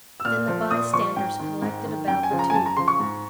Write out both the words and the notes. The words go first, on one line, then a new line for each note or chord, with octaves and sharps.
Then the bystanders collected about the two.
E6
A#2 F6
F3
A#2 D#6
F3 C#6
G#2 G5
D#3
G#2
D#3
F#2 G5
G#5
C#3 F3
A#5
G#5
F#2 A5
A#5
C#3 F3 C6
C#6
G#2